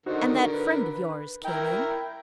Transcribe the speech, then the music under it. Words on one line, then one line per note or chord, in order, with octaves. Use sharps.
"And that friend of yours came in?"
D3 D#4 F#4 A#4 C5
B4
E4 A#4 G5 A#5